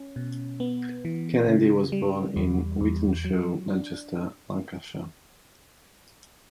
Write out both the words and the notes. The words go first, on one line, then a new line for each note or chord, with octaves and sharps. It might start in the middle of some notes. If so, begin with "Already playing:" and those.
Kennedy was born in Wythenshawe, Manchester, Lancashire.
Already playing: C#4
B2
B3
E3
C#3
G3
E2
E2
F#3
D4